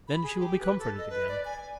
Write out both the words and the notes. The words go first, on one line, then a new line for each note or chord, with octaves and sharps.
Then she will be comforted again.
B5
G#4
G4
B4
A4
D#5
B4
D5
G#5